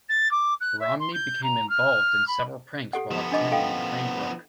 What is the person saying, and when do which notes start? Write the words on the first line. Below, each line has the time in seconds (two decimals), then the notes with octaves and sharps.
Romney became involved in several pranks while attending Cranbrook.
0.09 A6
0.31 D6
0.60 F#6
0.79 E5
1.00 C6
1.13 G6
1.43 A#5
1.69 F6
2.27 B5
2.93 G4 A4 F#5
3.11 F3 B3 G4
3.32 D4 D#5 D6
3.52 A4 F5 G5